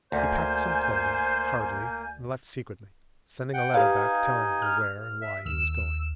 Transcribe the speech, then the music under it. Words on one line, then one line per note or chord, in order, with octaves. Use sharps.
He packed some clothing hurriedly and left secretly, sending a letter back telling her where and why he was going.
D2 A#3 C5 G#5 G6
F#5 G5
D#4 G4 B4 F5 G#5
F6
E5
D#2 E6 E7